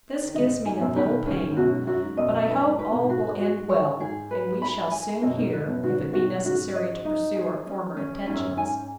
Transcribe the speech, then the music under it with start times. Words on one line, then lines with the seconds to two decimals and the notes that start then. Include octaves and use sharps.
This gives me a little pain; but I hope all will end well, and we shall soon hear, if it be necessary to pursue our former intentions.
0.22 D#3
0.34 G#2 C#3 D#5
0.65 G#2 G#5
0.80 F#2 B2
0.95 B2 D#3 B4
1.26 G#2 C#3 C#4
1.51 G#2
1.56 F#2 B2 F#4
1.72 G#2
1.83 G#2
1.87 F#2 F#4
2.03 G#2
2.17 F#2 B2 D#5
2.48 G#2 B4
2.56 F#2
2.64 G#2
2.78 G#2 B4
2.91 B2
3.03 G#2
3.10 F#4
3.39 F#4
3.69 C#5
4.00 G#2 G#4
4.31 B4
4.62 B5
4.91 G#5
5.22 F#2 B2 D#5
5.38 G#2
5.53 G#2 B4
5.67 F#2 B2
5.83 G#2 C#3 F#4
5.98 G#2 C#3
6.13 B2 D#3 F#4
6.44 G#2 C#3 F#4
6.75 D#5
7.05 D#4
7.35 G#4
7.66 C#4
7.97 C#4
8.26 G#2 C#4
8.34 F#2
8.49 F#2
8.57 G#2 G#5